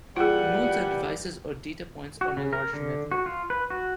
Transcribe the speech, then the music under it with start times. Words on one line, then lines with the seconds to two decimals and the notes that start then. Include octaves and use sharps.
Nodes are devices or data points on a larger network.
0.16 A#2 E3 G3 F4 G#4 F#5
2.21 F#4
2.37 C#3
2.53 A#4
2.73 D3
3.11 F#4
3.26 F4
3.50 B4
3.70 F#4